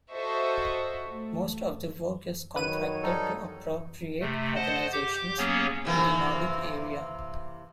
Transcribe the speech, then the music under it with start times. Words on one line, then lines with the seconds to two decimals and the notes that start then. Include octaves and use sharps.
Most of the work is contracted to appropriate organisations in the Nordic area.
0.13 F#4 A4 C5 D#5 E5 C#6
1.08 A3
2.56 D#3 F#3 B4 C#5 D#7
3.03 G3 D#4 A4
4.20 C3 A3
4.56 C5 D#5 F#5 A5
4.92 G4 D6 G6
5.38 F#3 A#3 B3 C#4 G#4 C#5
5.85 C3 E3 A#3